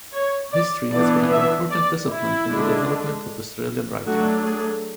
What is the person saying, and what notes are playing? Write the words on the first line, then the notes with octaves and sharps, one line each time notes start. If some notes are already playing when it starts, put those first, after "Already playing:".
History has been an important discipline in the development of Australian writing.
C#5
D5
E3 B3 D4 D5
E5
D5
E4
D3 G#3 D4
F#3 A3 D4 F#4
G#4